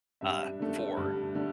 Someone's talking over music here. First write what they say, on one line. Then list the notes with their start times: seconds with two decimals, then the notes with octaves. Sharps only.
uh, for
0.21 G2 E5
0.60 D3 A3
0.97 G2
1.35 D3 A3